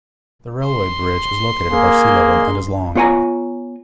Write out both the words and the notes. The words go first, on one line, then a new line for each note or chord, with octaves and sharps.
The railway bridge is located above sea level and is long.
C6
A#3 G#4
B3 F4 C#5 G5 G#5 A#5